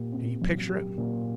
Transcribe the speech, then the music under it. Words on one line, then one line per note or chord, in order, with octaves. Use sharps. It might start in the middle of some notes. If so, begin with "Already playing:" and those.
Can you picture it?
Already playing: A#2 G4
C4
F#3
G4
A#2